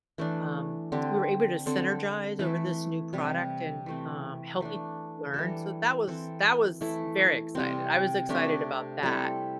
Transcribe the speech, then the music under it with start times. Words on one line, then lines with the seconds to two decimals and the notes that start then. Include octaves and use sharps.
um, we were able to synergize over this new product and, um, help each other learn, so, that was that was very excited. I was excited about that,
0.18 E3 A3 D4
0.92 D3 C4 G4
1.66 D3 C4 A4
2.39 E3 A3 E4 A4
3.13 C3 G3 E4
3.86 E3 A3 C4
4.61 E3 A3 D4
5.34 E3 G3 D4 A4
6.08 E3 C4 A4
6.81 E3 A3 E4 A4
7.55 C3 G3 C4
8.29 C3 A3 D4 G4
9.03 G3 C4 E4 A4